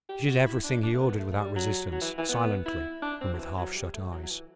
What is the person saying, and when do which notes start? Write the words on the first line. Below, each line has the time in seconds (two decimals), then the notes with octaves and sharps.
She did everything he ordered without resistance, silently, and with half-shut eyes.
0.09 G4
0.28 F#4
0.46 E4
0.64 D4
0.83 D4
0.94 A3
1.01 B3
1.20 A3
1.32 A3
1.38 G3
1.56 F#3
1.92 F#3
2.01 E3
2.18 E3
2.29 B3
2.66 E4
3.02 D4
3.21 C4
3.33 F#3
3.39 E3
3.58 F#3
3.76 G3
3.93 A3
4.12 F#3
4.23 F#3
4.31 E3